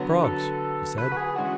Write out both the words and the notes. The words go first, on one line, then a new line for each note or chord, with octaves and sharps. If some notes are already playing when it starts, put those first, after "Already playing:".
"Frogs," he said.
Already playing: D3 F#3 B3
A4
B4
F#4
G#4
E3 G#3 C#4 F#4